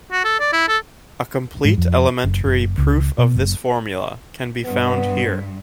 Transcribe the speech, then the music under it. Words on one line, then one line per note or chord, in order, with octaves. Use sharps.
A complete elementary proof of this formula can be found here.
F#4
A4
D5
E4
A4
G#2
F2
F#1
F#1
C#2
B2
F#1
G2 B3